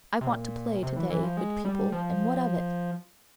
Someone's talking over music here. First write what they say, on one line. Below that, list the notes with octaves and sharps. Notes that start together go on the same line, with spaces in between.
I want to play to-day, good people, and what of it?
C3
A#2
C3
E3
E3
F3
G#3
G3
F3